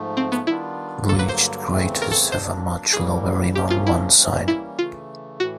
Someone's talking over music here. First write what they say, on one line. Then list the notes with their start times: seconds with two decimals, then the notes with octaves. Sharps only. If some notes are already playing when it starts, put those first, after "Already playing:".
Breached craters have a much lower rim on one side.
Already playing: G#2 F3 A3
0.17 C4
0.32 B3
0.47 D#3 G3 B3 D4 E4 F4
1.09 G2 D3 F#3 A#3 A4
1.19 B4
1.29 C5
1.70 E2 C#3 E3 A3 C4
2.02 A#4
2.11 A4
2.32 F#3 A#3 D4 C5
2.93 A2 E3 G3 A#3 G#4
3.55 C3 F3 A#3 C#4 G4
3.70 F4
3.87 E4
4.16 E3 G3 A#3 C#4
4.48 E4
4.78 C#3 E3 A3 F4
5.39 A2 E3 F#4